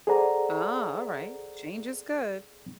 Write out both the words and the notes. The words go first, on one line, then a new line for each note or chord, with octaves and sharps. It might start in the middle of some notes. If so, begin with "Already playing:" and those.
Oh, alright, change is good.
G#4 A4 C5 D5 F#5 A#5